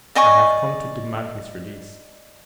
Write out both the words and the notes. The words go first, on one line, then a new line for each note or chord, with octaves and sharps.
"I have come to demand his release."
D5 D#5 G#5 C#6